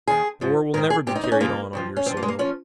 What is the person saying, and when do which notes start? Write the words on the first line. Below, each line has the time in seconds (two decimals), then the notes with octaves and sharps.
The war will never be carried on on your soil.
0.07 D#2 D#3 G#4
0.41 G#2 F3
0.74 G#2 D#3 A#4
0.90 G#4
1.07 G#2 G4
1.11 D#3 D#4
1.23 D#4
1.32 C#4
1.40 D#2 C#3 F3 A#3
1.73 F2 C#3 F3
1.96 C#4
2.06 G2 C4
2.11 F3
2.17 A#3
2.23 G#3
2.28 A#3
2.39 F3 C#4